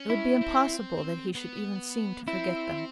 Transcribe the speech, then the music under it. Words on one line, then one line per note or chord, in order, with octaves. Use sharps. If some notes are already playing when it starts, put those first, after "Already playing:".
It would be impossible that he should even seem to forget them.
Already playing: C#4
E4
C4
B3
C4 E4